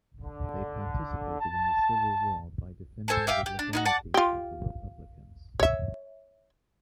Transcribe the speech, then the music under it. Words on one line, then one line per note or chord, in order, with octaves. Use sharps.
They participated in the Civil War by defending the legality of the republicans.
D3
A5
A4 C5 G#5 A5
G4 E5 F5 G5
G4
D4
D#4 E4 F#4
D5 F#5 A5 D6
F4 G4
C#5 E5